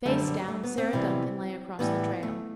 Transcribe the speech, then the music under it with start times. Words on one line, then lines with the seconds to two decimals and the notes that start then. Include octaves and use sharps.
Face down, Sarah Duncan lay across the trail.
0.05 F#2 D3 G3 A3
0.27 G3
0.48 A3
0.63 B3
0.78 C4
0.93 E2 C3 E3 G3
1.79 A2 E3 G3 B3
2.23 A3